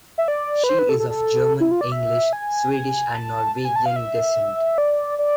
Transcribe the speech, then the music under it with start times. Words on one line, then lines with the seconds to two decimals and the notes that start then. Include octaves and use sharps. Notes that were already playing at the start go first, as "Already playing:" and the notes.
She is of German, English, Swedish, and Norwegian descent.
0.18 E5
0.28 D5
0.64 B4
0.69 C5
0.79 B4
0.89 A4
1.00 A4
1.10 A4
1.60 E4
1.71 F4
1.81 D5
1.92 E5
2.33 G#5
2.73 G#5
3.14 A5
3.55 A5
3.65 G#5
3.76 A5
3.86 F5
3.96 E5
4.78 D5
5.19 D5